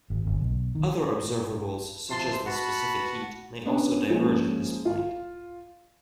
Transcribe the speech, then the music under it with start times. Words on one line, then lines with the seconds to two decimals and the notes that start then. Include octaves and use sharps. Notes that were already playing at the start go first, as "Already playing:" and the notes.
Other observables, such as the specific heat, may also diverge at this point.
0.10 G#1
0.27 G1
0.41 B1
0.75 D#3
2.09 C3 F3 A5 C6
2.46 F#4 B4 F#5 A5 B5
3.66 B3 C#4 D4 C#5
4.10 F3 G#3 A#3 C#4 D#4
4.85 F4